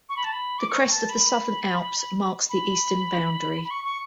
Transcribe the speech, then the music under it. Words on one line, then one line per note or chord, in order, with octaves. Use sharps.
The crest of the Southern Alps marks the eastern boundary.
C#6
B5
A5
B5
D6
C#6
A5
B5
B5
B5
C#6
C#6